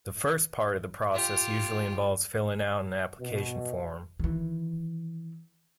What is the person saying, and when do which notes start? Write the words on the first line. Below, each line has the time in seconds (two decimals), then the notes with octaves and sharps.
The first part of the process usually involves filling out an application form.
1.14 F4 G4
3.20 B2
4.19 D#3 E3